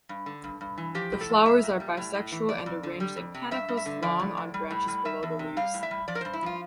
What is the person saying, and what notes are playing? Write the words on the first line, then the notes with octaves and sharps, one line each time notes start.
The flowers are bisexual and arranged in panicles long on branches below the leaves.
G2
D3
G2
G2
E3
F3 G4
A2
A4
F3
G3 E5
A#2
G3
A2
A2
E3
F2 D5
F2
D3
G3
F2
C3
G2 E5
G2
E5
D3
F3 D5
A2
F3
G3
A2
G3
G3 E5
E2
C3
G3 F5
A2
E5
G3
F3 D5
A#4
G2 C5
E4
F3 F4